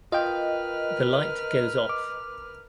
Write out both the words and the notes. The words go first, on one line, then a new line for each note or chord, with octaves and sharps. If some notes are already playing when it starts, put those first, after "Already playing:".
The light goes off.
F4 A#4 B4 D#5 G5 F6
D6